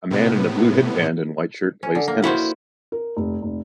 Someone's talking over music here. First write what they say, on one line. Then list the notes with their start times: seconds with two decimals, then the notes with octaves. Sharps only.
A man in a blue headband and white shirt plays tennis.
0.10 A2 C3 B3
1.83 C#4
1.95 D3
2.08 A#3
2.24 E4 F#4 C5 C#5
2.92 A#4
3.16 F1
3.42 F1